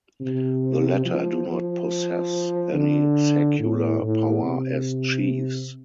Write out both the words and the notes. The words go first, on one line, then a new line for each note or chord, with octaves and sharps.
The latter do not possess any secular power as chiefs.
C3
F3
F3
D3
A2
A2
C3